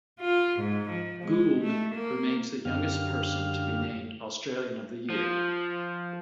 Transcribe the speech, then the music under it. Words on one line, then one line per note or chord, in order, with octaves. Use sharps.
Gould remains the youngest person to be named Australian of the Year.
F4
G#2
F3
G#3
A3
A#3
F#2 D3 G4 F5 F6
F3